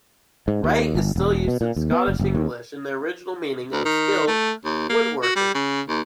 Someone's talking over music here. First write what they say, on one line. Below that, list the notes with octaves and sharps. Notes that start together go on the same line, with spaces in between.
'Wright' is still used in Scottish English in the original meaning of 'skilled woodworker'.
G#2
D#2
G1
E1
B2
A#2
D#2
B3
F#1
F#1
D#2
D2
D#3
A3
D#2
A#3
F#4
G3
C#3
D#2